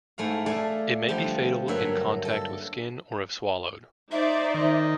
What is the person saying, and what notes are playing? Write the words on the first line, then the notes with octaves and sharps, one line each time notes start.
It may be fatal in contact with skin or if swallowed.
G#2 A3 E4 F5
A3 A4 D5 F5 G#5 A5
D3 F3 G3
G2 F#3 A#3 E5 F#5
A4
D#4 C5 D5 E5
D#3